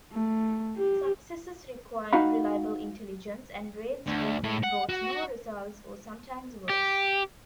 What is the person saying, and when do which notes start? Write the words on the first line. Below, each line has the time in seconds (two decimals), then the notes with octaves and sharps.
Successes required reliable intelligence and raids often brought no result-or sometimes worse.
0.12 A3
0.77 G4
2.13 D#4 F#4 F5 B5
4.07 D2
4.44 A2
4.64 F#5
4.89 F#4
6.69 G4